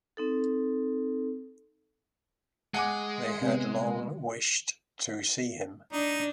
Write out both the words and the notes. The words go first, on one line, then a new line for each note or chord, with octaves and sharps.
They had long wished to see him.
C4 D#4 A4
G#3 F#5 G#5 D6
C3 B3
D4 D#4